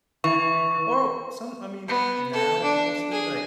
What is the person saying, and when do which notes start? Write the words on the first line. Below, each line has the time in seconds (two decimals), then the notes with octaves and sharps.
Oh! Some I mean, now mostly, like,
0.24 E3 C#6
1.88 B3
2.33 A4
2.62 D4
3.11 G#4